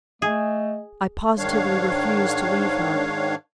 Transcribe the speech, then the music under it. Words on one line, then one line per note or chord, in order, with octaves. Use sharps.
I positively refused to leave her.
A3 G#4 D#5
G#2 D#3 D4 C#5 F5